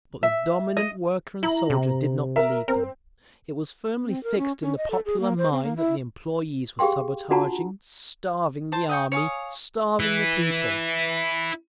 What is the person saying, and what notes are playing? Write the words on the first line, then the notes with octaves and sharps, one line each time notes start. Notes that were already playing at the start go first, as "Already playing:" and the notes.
But the dominant worker and soldier did not believe them; it was firmly fixed in the popular mind that the employees were sabotaging, starving the Army, starving the people....
E5
D#5
E4 A#5 F#7
C3
A#4 E5
C4 A#4
C4
A#4
C#4
C#4
D#5
A4
G#4
A#3
C5
C4
A#3
E4
G4 G#4 F5 G5 C6
D4 F4 F#4 F#5 A5 A#5
C5 A5
D#5 G5 C#6
C#5 F5 G#5 D#6
E4 B4